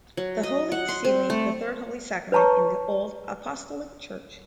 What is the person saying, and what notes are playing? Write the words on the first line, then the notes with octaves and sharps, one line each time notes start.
The Holy Sealing the third Holy Sacrament in the Old Apostolic Church.
F#3
D#5
F#5
C6
C4
A3
B4 C#5 A5 A#5 C#6